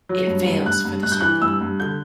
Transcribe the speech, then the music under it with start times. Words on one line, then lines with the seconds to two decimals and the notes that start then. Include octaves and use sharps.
It fails for the circle.
0.09 F#3
0.27 G2
0.47 G2
0.66 G2 F#6
0.85 G2
1.03 G2 F#6
1.12 G6
1.21 E3 F#6
1.42 G2 E6
1.61 G2
1.80 D3 G6